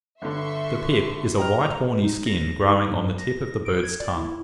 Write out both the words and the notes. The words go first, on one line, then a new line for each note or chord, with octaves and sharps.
The pip is a white horny skin growing on the tip of the bird's tongue.
G1 D3 E5 C6 C#6
D#5 G5 A#5 F6
D#4
A#6
D#4
G2
A#6
D7
G#6
D5
E4